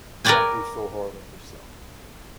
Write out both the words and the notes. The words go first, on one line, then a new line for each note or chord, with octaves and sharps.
don't be so hard on yourself.
A#4 B4 C#5 D5 G5 G#5